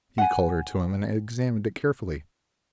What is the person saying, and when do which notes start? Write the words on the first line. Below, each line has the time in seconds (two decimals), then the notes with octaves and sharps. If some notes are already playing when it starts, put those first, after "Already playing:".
He called her to him and examined it carefully.
0.18 F#5 G#5